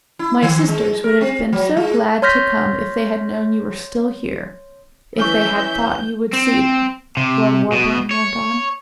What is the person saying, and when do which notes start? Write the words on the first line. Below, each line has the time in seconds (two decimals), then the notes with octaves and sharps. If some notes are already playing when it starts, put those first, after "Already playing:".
"My sisters would have been so glad to come if they had known you were still here--if they had thought you would see them," Lord Warburton went on.
0.19 E4
0.42 D#3
0.68 G#3
1.04 A#4
1.21 C4
1.53 F#3
1.77 G#3
2.22 C#5 C6 F6 G6 A#6 B6
5.18 E3 C#4 B4 E5 B5 C#6 G6
6.33 C4
7.17 C3
7.72 B2
8.11 C#5